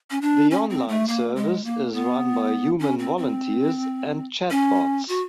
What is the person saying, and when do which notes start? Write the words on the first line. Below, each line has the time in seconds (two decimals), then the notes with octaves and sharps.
The online service is run by human volunteers and chatbots.
0.11 C#4
0.21 D4
0.51 C#4
0.70 C4
0.88 A3
1.08 A#3
1.36 G#3
1.65 A#3
1.93 B3
2.80 C#4
2.98 C4
3.18 C4
4.51 C#4
5.09 F#4